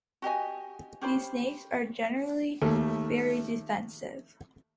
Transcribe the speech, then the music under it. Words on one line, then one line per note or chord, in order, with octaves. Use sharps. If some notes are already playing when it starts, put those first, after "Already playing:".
These snakes are generally very defensive.
F#4 G4 D#5 G#5
C#4 G4 C5 B5
D#2 A3